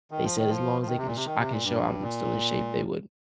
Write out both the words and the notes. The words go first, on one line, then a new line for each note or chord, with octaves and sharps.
they said as long as they can sh I can show I'm still in shape, they would
D#3
F3
D#3
F3
F3
D#3
C3
A#2
C3
D#3
C3
A#2
G2
A#2